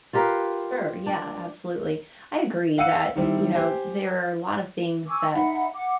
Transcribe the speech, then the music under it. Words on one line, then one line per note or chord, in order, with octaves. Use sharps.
Sure, yeah, absolutely, I agree that, you know, there are a lot of things that
F4 G4 A#4 B4
D4
F5 F#5 E6 C#7 D#7
D#3 G3 C4 E4
G4 C5 G#5
G#5 C#6 D6 E6
D#4 E5 F#5 B5
F#5 D6